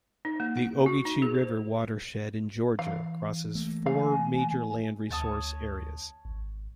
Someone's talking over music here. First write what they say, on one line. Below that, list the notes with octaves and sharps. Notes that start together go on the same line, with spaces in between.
The Ogeechee River watershed in Georgia crosses four major land resource areas.
D#4
A#3
F#5
F#4
D#4
G#4
C5
E3 F5
A3 A#3
F5 G#5
D2 C#5 A5 D#6
G#1